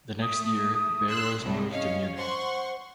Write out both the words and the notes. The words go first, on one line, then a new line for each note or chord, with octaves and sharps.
The next year, Bayros moved to Munich.
A3 D#6
C6 E6 F#6
C2 A2 G3
C#4 C#5 D#5 F5
C5 F#5 C6 C#6